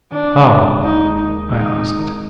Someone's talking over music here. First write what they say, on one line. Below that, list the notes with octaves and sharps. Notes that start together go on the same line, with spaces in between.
"How?" I asked.
D#3 D4
G#3
G#3
D#2 D#4
G#3
D#4
D#3
G#3 D#4
C4
D#3